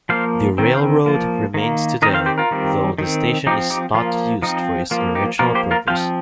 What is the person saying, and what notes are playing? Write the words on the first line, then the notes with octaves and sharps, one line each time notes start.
The railroad remains today, though the station is not used for its original purpose.
F3 A#3 C5 F5
D#3 C4
C5 F5
F3 A#3
D#3 A#3
D#3 C4 A#4 D#5
C5 F5
G4 C5
F4 A#4
D#3 G3 C4
D#3 C4
F3 C4 D#4 G4
D#4 G4
F3 A#3 F4
F3 C4 D#4
F3 A#3 F4
D#4 G4
F3 A#3 F4 A#4
G4 C5
F4 A#4
F3 C4 C5 F5